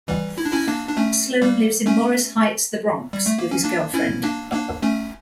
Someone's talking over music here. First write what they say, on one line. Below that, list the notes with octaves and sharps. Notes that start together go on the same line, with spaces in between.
Sloan lives in Morris Heights, the Bronx with his girlfriend.
E3 G3
E4
D4
C#4 E4
A#3 D4
D4
A3 C#4
G3 A#3
A3 C#4
G3
A3
A#3
C#4
A#3 D4
C#4 E4
A#3 D4
A#3 D4
A3 C#4